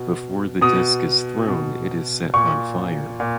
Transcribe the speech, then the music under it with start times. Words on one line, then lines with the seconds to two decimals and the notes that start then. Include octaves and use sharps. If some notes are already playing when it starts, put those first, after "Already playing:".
Before the disc is thrown it is set on fire.
Already playing: B2
0.61 B2 D#6
1.48 B2
2.33 A#2 C#6
3.20 A#2